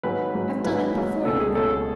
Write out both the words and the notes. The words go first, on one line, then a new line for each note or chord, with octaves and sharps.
I've done it before, you know.
G#1 G#2 F#3 B4
G#1 G#2 F#3
G#1 G#2 F#3 B4
G#1 G#2 F#3
C#2 B2 A3 C#4 A4
G#4
C#2 B2 A3 C#4 A4